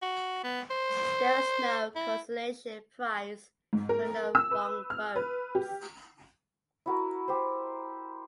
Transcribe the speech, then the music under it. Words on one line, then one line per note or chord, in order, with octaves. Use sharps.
There was no consolation prize for no wrong votes.
F#4
B3
C5
E4
G#2
A#4
E6
B4
F6
B4
G4
E4 F#4 A#4
G4 C5